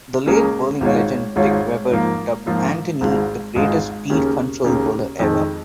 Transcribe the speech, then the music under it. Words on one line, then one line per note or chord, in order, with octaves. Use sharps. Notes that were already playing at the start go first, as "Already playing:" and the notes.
The late bowling legend Dick Weber dubbed Anthony the greatest speed-control bowler ever.
C#2 C#3 A#3 C#4 G#4
G#1 G#2 G#3 F4 C#5
G#1 G#2 G#3 F4 C#5
G#2 F3 A#3 F4
G#2 F3 A#3 F4
G#1 G#2 G#3 F4 G#4
G#1 G#2 G#3 F4 G#4
D#2 C#3 A#3 C#4
D#2 C#3 A#3 C#4
F2 D#3 G#3